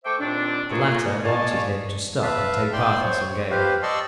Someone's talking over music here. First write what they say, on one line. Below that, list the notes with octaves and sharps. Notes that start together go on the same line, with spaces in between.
The latter wanted him to stop and take part in some game.
A3 C5 E5 G5 C#6 D6
D#2 A#2 C4 D4
A3 A#3 F4 F#4 G#4 A#4
D5 D#5 F5 G#5 A5 C#6
B4 E5 F5 A5
D5 G5 C6
C5 C#5
C#5
G4 B4 C5 F5
D5 D#5 A5 C6 C#6 E6